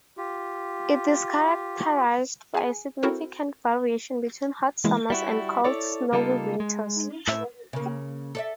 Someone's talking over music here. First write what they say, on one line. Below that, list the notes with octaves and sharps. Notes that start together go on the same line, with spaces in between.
It is characterized by a significant variation between hot summers and cold, snowy winters.
F4 G4
G#4 G#5
C4 E4 F#4 A4 A#4 C5
C#3 E3 G#3 A#3 E4
G3 E4 F#4
E4 A4 C#5 D5
C#3 G3 A#3 D#4 F4 A4
G#3
A2 E5
C#3 A#3
A4 D5 E5